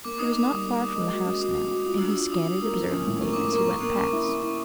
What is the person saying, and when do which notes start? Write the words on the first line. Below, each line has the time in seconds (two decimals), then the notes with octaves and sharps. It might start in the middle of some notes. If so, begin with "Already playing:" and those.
He was not far from the house now and he scanned it observantly as he went past.
0.05 A#3 D6
0.19 D#4 D#6
0.33 A#3 D6
0.51 G3
0.66 A#3
0.80 A#3
0.96 G#3
1.11 F#4
1.26 C#4
1.41 F#4 D#6
1.56 F#4
1.71 F#4
1.86 F4 D#6
1.98 D4 E6
2.10 D#6
2.16 F4
2.32 F4 D#6
2.46 F4
2.62 A#3
2.77 F3
2.92 C#4
3.07 A2
3.21 A#3 C#6
3.33 D6
3.37 C#4
3.45 D6
3.52 A#3 C#6
3.67 A#3
3.73 C#6
3.83 A#3
3.98 C#4
4.13 E4
4.28 C#4
4.43 E4